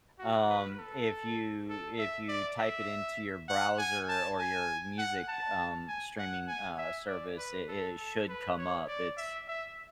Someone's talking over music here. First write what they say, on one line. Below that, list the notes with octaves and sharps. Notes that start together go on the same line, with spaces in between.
Um, if you if you type it into your browser or your music, um, streaming, uh, service, it it should come up. It's
F#4
B4
A4
A4
E5
D5
E5
F#5
G#5
A5
G#5
F#5
A5
G#5
F#5
G#5
E5
D5
B4
A4
A4
B4
C#5
D5
E5
E5